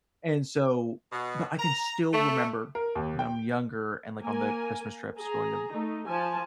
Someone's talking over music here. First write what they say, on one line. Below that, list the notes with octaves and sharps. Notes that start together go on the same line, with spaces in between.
and so but I can still remember when I'm younger and, like, on the Christmas trips going to
B2
A#5
A3
A#4
D#2
G5
A#3 A#4 G#5
G#4 A#5
A3 D#4
F3 G#5 A5